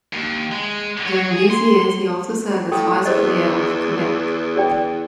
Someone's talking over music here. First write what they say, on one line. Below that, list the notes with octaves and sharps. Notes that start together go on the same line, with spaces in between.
During these years he also served as Vice-Premier of Quebec.
D#2
G#3
F#3
G#4
C6
A2 A4 G5 D#6
E2 G#4 C5 D#5
G#4 D5 G5